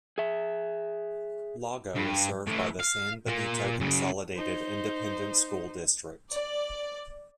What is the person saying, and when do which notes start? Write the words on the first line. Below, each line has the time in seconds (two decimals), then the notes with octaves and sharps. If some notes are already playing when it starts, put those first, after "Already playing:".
Lago is served by the San Benito Consolidated Independent School District.
0.18 G#4 E5
1.96 G2
2.47 A2 E3
2.80 F5
3.27 A#2 A#3
3.80 F#2 C#3
4.36 D#4 C5
6.31 D5